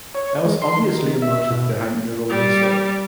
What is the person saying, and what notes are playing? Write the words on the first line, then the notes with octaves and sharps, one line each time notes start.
There was obviously a motive behind neutral research.
C#5
G#3
C6
D#3
E5
B2
G3